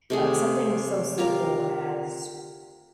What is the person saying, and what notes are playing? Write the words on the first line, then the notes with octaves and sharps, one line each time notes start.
Uh, something so simple as
C3 A3 G#4
F4 G4 A#4 F5